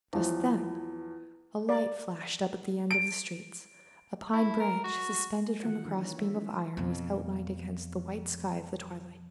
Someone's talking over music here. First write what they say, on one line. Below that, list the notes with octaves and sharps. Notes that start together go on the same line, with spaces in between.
Just then a light flashed up at the end of the streets; a pine branch suspended from a cross-beam of iron was outlined against the white sky of the twilight.
E2 F3 F#3
D5
D7
E4
A#4
F#4
D#3 E3 F4 F#4 F#5
D#3 E3 F#3 A#3 D4
C#5
G#3 E5
C#4 D#4 E4
F2 B2